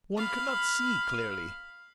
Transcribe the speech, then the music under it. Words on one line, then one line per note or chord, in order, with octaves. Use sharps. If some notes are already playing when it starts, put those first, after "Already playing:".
One cannot see clearly.
F5 B5